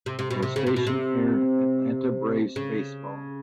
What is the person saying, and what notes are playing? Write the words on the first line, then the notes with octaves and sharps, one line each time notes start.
The station aired Atlanta Braves baseball.
C3
C3
B2
C3
C#3
C3
B2
C3
C#3